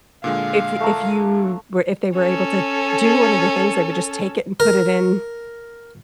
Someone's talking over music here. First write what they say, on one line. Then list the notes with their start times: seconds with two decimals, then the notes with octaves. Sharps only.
if y if you were if they were able to do one of the things, would just take it and put it in
0.24 A#2 D3 G#3 F5
0.81 A3 A#5
2.17 C#4 A4
4.60 A#4